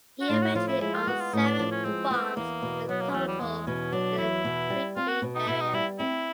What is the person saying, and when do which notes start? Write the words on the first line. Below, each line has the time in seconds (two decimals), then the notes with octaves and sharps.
He eventually owned seven farms in total in the Kwekwe area.
0.21 F#4
0.29 A2 F4
0.42 F#4
0.55 F3 F4
0.68 E4
0.81 G#3 E4
0.94 F4
1.07 B3 F#4
1.20 F4
1.33 A2 D#4
1.47 D4
1.59 F3 D4
1.72 C#4
1.85 G#3 C4
2.11 B3
2.36 E2 A#3
2.62 B2
2.89 F#3 B3
3.01 A#3
3.10 G#3
3.14 E2 A3
3.28 G3
3.40 E2 G#3
3.67 B2 C#4
3.92 F#3 D4
4.18 E2 E4
4.45 B2
4.70 G3
4.96 C4 F4
5.09 F#4
5.22 B2
5.35 D#4
5.48 B2 E4
5.60 D#4
5.73 G3 E4
6.00 C4 E4